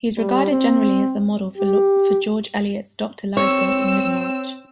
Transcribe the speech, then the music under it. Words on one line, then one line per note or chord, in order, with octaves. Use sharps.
He is regarded generally as the model for George Eliot's Doctor Lydgate in Middlemarch.
G3
C4
G4
C4 C#5 E6